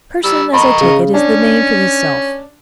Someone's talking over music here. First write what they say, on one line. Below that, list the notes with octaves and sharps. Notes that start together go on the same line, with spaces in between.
PERSON, as I take it, is the name for this self.
G3 E6
D#5 A#5 B5 C#6
C#3
C#4 D4